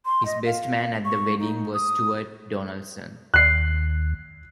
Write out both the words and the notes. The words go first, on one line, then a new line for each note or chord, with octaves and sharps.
His best man at the wedding was Stuart Donaldson.
C6
D#5
F5
C#6
D#4
D#6
D#2 F#6 C7